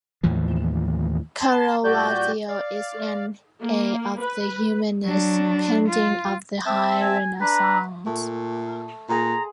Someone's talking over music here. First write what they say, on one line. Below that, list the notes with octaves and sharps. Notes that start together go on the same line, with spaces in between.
Caravaggio is an heir of the humanist painting of the High Renaissance.
D#2 A2 E3 F3
A5 C6
A#2 G3 F#4 G4 D5 G6
D5 F5
A#3
B4
F#3 D4
F4
C4 E5 A5
G#5
D4 B4 A#5
A#2 A3
A#2 G#4 A#5 C6